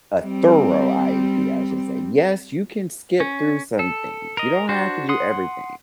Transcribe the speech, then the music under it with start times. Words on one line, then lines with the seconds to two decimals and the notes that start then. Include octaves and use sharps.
a thorough IEP, I should say, yes, you can skip through some things. You don't have to do everything,
0.23 G3 C4
3.20 C#4
3.79 A4
4.37 A#4 D#5
4.69 D4 F#4 C5
5.09 F#5 C6 D#6